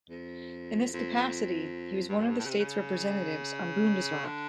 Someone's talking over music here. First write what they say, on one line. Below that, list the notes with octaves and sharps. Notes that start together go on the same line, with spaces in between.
In this capacity, he was one of the state's representatives on the Bundesrat.
F2
F2
G2
F#2
G2
A2
C#3
C3
C#3
D3